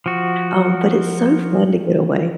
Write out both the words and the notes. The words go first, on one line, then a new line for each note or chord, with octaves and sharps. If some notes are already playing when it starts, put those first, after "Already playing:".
Um, but it's so fun to get away.
F3 F#4